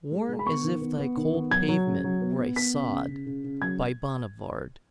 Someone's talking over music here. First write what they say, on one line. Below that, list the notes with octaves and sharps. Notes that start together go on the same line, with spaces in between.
Worn as if thy cold pavement were a sod, By Bonnivard!
G#3
G#3
B5
B3 C#6
D#3
B3
B3
D#3
B3
F#3 G#6
F#3
C#3
F#3
B3
B3
B3 B6
C#3
C#3
C#3
C#3
C#3
F#3 G#6